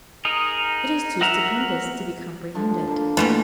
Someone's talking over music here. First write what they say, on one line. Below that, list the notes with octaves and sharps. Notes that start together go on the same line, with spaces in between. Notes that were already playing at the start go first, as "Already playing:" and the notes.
It is too stupendous to be comprehended.
D#4 G#4 A#4
F#4 A#4 E5 F#5 A#5
D3 F3 D4
D3 A#3 C5
B2 E3 G3 A3 A#3 A4 C6